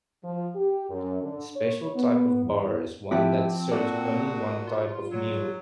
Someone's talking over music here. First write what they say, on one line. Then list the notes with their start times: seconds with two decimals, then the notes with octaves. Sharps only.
A special type of bar is one that serves only one type of meal.
0.24 F3
0.55 G4
0.90 F#2
1.21 D3
1.56 C#5
1.95 B3
2.44 E2
3.11 F3 C4 E4 G4 F#5 A5 D6
3.71 A#2 F#4 A4 D5
4.67 F4
5.11 F#3